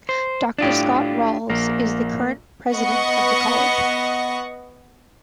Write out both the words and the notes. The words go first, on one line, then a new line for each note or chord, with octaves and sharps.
Doctor Scott Ralls is the current president of the College.
C5
A2 D4 F4 G4 D5
A#1 A#3
B3 D#5 F#5 C#6